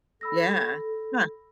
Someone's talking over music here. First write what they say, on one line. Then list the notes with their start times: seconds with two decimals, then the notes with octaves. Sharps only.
Yeah. Huh.
0.21 A4 B5 E6 A#6